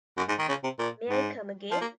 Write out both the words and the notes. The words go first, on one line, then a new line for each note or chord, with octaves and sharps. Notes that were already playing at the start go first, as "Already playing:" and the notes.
May I come again?
F#2
G#2
D#3
C#3
C3
A#2
G#2
F3
A#3